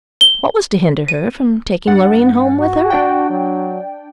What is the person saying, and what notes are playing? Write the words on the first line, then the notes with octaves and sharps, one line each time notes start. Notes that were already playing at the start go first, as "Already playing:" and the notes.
What was to hinder her from taking Loreen home with her?
G7
D#7
G2 F#5 A6
F#4
D4 D5 G5
F#3